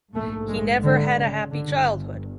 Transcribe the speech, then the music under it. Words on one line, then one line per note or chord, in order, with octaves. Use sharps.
He never had a happy childhood.
A#1 G#2 A3
G#3
D3
C#3
G1 G2 D3